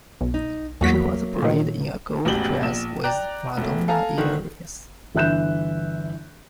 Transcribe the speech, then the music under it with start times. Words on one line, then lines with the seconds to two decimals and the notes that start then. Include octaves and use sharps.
She was buried in a gold dress with Madonna earrings.
0.21 B1
0.34 D#4
0.81 E2 F#3 A3 A#3 F#4 B6
1.42 A#2 D#3
2.25 E1 A1 B2 G4 F#7 G7
2.63 A#1 E7
3.04 D5 G5 A#5 F#6
3.57 E1 A3
3.88 A4 F5 G#5 A#5
4.17 D3 D#3
5.15 G1 E3 E5 F#6 G6 E7